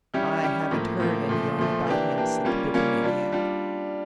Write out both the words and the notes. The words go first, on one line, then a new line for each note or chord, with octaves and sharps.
"I haven't heard any yarn about him," said the Bibliomaniac.
G3 C#4 E4 G4
G3 C#4 E4 G4
A2 F3 A#3
A2 F3 A#3
A#2 F3 A3
A#2 F3 A3
E3 A#3 D4 G4
E3 A#3 D4 G4
G3 A#3 C#4 F4
G3 A#3 C#4 F4
G3 D4 F4
G3 D4 F4